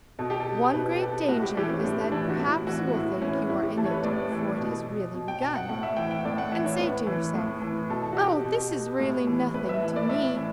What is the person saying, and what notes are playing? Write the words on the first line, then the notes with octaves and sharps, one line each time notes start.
One great danger is that perhaps you will think you are in it before it has really begun, and say to yourself, 'Oh! this is really nothing to me.
B2 A4
G4
A4
B2 B4
G4
A4
A2 F#4
G4
E3 G4
C#4
A2 D4
E3 D4
F#4
A2 E4
E3 F#4
F#4
A2 E4
E3 C#4
A2 E4
G4
E3 A4
C#5
B4
A2 D5
E3
B2
B2
G5
A5
F#5
A2 F#5
E5
E3 G5
G5
A2 D5
F#5
E3 E5
C#5
A2 B4
E3
A2
E3
B2 A4
F#4
G4
B2
A2
E3
A2 B4
E5
E3 E5
D5
A2 E5
E3